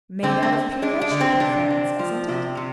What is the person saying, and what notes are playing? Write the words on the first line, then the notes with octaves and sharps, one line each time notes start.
"Made out of pure vegetable fats, isn't it?"
D3 C4
C4
C4
G#3 D4
D4
D3
C4
C3 D4
C4
F3
C3
C3